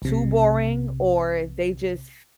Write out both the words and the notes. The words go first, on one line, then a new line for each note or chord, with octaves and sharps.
too boring, or they just
B1 C3